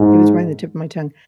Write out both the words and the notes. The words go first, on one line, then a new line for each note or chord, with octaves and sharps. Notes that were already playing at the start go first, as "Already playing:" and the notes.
it was right on the tip of my tongue.
Already playing: G#2